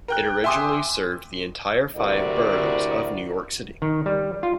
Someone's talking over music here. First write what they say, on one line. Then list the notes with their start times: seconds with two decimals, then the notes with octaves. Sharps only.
It originally served the entire five boroughs of New York City.
0.08 A#4 G5 F#6
0.44 E5 G5 G#5 C6 D6 D#6
1.96 D2 C3 E4 F#4 A#4 D5
3.82 D#3
4.06 G3
4.43 F4